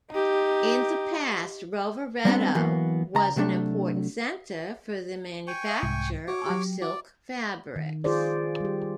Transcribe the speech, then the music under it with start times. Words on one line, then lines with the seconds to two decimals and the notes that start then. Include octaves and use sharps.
In the past Rovereto was an important centre for the manufacture of silk fabrics.
0.11 D#4 G4
2.25 G3 B3 C4 D4
2.55 E3 F#3 A#3 B3
3.15 C#2 A#5
3.36 C3 F#3 A3 D4
5.47 G5 G#5 C#6
5.67 E5 F5
5.83 C2 G#2
6.28 F#4 C#5 D6
6.46 F#3 G4
6.82 F#4 D5
7.76 D#3
8.04 F4 G#4 C5 D5
8.60 G3 G4